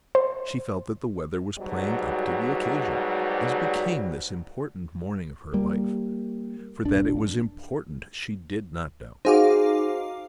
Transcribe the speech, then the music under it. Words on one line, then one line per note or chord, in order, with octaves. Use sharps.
She felt that the weather was playing up to the occasion, as became this important morning of her life. For that it was important she did not doubt.
C5
G#2 B2 F#3 G3
G3 A#3
E1 A#1 D4
D#4 F#4 G#4 C5 F5 D6